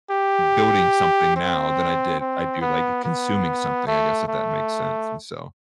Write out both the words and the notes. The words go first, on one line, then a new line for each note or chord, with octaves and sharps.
building something now than I did I do, like, consuming something, I guess, if that makes sense. And, so,
G4
C4
C4
B3
B3
A3
A3